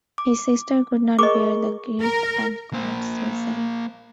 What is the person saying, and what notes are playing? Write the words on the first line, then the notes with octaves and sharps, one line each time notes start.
His sister could not bear the grief and commits suicide.
D6
G#4 A#4 D#5 C#6 D6
A#4
A#3 C5